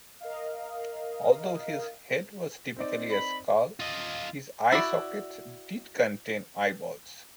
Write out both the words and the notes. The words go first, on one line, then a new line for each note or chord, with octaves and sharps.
Although his head was typically a skull, his eye sockets did contain eyeballs.
A#4 D#5 F5
C4 D#4 D5
B5
F4 D#5
E4 F#4 D5